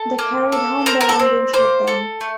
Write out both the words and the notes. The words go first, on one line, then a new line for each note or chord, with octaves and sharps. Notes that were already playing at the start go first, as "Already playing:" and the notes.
They carried home belongings with them.
Already playing: A4
A#3
A4
C4 A#4
A#4
A4
C4
A#3 C5
A4
A3